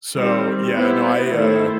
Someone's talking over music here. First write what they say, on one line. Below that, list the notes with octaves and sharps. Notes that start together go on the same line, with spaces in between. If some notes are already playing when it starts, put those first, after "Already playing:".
So yeah. No, I, uh,
D#3 G3 C4
B3 E4 G4 C5
D#3 A3 E4 A4 C5